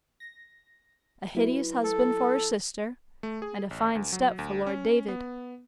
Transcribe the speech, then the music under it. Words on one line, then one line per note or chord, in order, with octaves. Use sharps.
A hideous husband for her sister, and a fine step for Lord David.
A#6
F#3 E4 B4
A4
A3
G#4
A1
D2
F#3
D2
C#4
B3